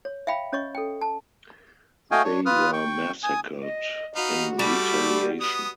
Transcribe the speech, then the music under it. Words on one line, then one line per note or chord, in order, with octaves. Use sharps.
They were massacred in retaliation.
C#5
E5 F5 G5 B5
C#4 C#5 D#5 C#6
A4 G5
A5
A3 F#4 D#5 F5 G5 G#5
D4 C#5
F4 B4 D#6 F6
G5 C#6
G#5 D#6
D#5
D#4 F#4 B4 F5
G3 A3 B5 D6
B3 D#6